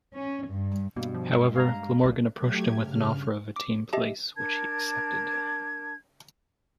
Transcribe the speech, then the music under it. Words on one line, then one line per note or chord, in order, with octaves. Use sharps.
However, Glamorgan approached him with an offer of a team place which he accepted.
C#4
G2
G2 B2 A#3
F3
G#3
F5 A#5
B1 G2 A#2 G3
F#3 A3 G4 G#6
G2 C#3 F6
D6
G4 D#5 E5 A5
D4 A#4 A5 G#6